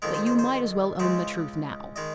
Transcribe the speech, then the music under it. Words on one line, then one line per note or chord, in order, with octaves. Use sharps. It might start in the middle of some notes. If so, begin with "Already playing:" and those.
But you might as well own the truth now.
F2 D#3 G#3 A#4
C5
C5
C5
C#2 C#3 G#3 C5
D#3 G#3 D#5